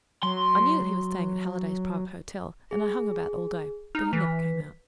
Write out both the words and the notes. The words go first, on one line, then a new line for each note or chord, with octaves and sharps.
I knew that he was staying at Halliday's Private Hotel, and I hung about all day, but he never came out.
F#3 C6
G#4
D#4 F6
E3 B6